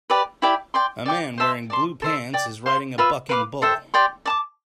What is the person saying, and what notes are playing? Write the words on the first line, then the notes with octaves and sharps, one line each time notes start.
A man wearing blue pants is riding a bucking bull.
G4 B4 D5
E4 G4 D5 G5
D5 G5 C6
D5 G5 D6
C5 E5 A5 C6
D5 A5 C6
A4 C5 E5
D5 G5 D6
C5 F5 C6
F4 B4 E5
B4 F5 B5 D6
A4 C5 E5 G5
G4 D5 G5 C6
D5 A5 D6